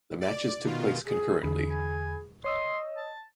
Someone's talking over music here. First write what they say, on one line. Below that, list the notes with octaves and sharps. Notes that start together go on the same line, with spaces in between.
The matches took place concurrently.
D5
B2 D#3 F4
G#4
E2 D3 G#4 B5
G#5
C#5 D#5 C6 D#6 E6
A5